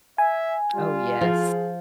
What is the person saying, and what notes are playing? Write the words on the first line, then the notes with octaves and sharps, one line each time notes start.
Oh, yes.
E5 G#5
G3 F4
F3 G#4